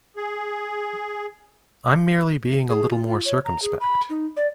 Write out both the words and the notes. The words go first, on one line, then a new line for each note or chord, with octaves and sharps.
I'm merely being a little more circumspect.
G#4
G#4
F4
F4
C#5
A#5
G#4
B5
D#4
D5